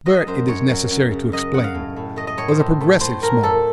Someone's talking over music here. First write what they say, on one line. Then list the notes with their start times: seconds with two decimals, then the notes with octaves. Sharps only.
Bert, it is necessary to explain, was a progressive Smallways.
0.06 F#3 D#5
0.27 F#2 C5
0.47 F#2 C#5
0.69 F#2
0.91 F#2
1.11 C#3
1.32 F#2 D#5
1.54 F#2 F#5
1.64 F5
1.74 A2
1.96 A2
2.16 A3 D#5
2.27 D#5
2.37 A2 C#5
2.48 C5
2.59 A2
2.81 A3
3.01 A2 C5
3.22 A2 A#4
3.43 A3 A4